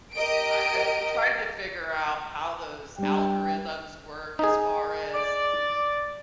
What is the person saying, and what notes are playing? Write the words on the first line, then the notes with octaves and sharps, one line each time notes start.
I I've tried to figure out how those algorithms work as far as,
G4 A#4 D#5 D7
G3 D4 G5
D#4 G#4
D5